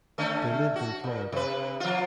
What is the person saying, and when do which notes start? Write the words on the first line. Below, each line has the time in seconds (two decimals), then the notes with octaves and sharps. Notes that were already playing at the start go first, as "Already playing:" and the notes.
They lived in Florida.
0.18 D3 A3 C#4
0.76 F#4
1.04 A#2
1.32 C3 B4
1.80 F3 F4